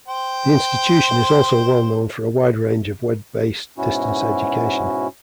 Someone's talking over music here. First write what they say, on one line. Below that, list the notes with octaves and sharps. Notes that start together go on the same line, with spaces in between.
The institution is also well known for a wide range of web-based distance education.
C5 G5
G#2 B2 C#4 E4 F#4